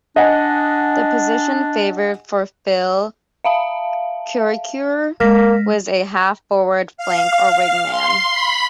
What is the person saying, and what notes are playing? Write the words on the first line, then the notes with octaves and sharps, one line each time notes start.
The position favoured for Phil Krakouer was as a half forward flank or wingman.
D4 D#5 F#5 G#5
E5 F5 A5
G#3 A#3 F6 A#6 B6
F5
C6
B5